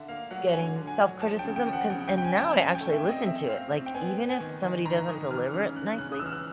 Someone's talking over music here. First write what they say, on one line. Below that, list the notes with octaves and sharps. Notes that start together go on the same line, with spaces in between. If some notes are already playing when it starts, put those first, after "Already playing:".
getting self-criticism, 'cause and now I actually listen to it, like, even if somebody doesn't deliver it nicely
Already playing: D3 E5
A#3 F5
F#3 F#5
D3 G#5
D3
G#5
F#3
F3 A5
G5
C#3
G5
F3
F#5
C#3 G5
G5
C#3
G5
G#5
F3
A5
C#3 G#5
G5
A3
E5
C4
D#5
C4 E5
C4 F5
C4
G5
B3 G#5
B3
G#5
D#3
D#3
D#3 A#5
D#3 D#6
E3 F6
C#3 F6
C#3 F#6
C#3 F#6
D#6
E6
E3 F6
F#6